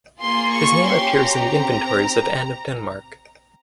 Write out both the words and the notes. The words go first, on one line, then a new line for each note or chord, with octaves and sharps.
His name appears in the inventories of Anne of Denmark.
A#3 F4 G#4 C6
C#6
C#4 G4 C6
A#5
C4 G4